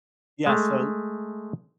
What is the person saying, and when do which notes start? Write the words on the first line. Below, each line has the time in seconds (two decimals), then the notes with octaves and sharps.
Yeah, so
0.46 G#3 A3